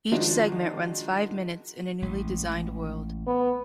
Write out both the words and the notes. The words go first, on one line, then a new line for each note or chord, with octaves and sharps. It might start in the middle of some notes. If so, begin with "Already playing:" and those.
Each segment runs five minutes in a newly designed world.
D#3 F3 G#3 D4 D#4 F#4
A1 G#3
B3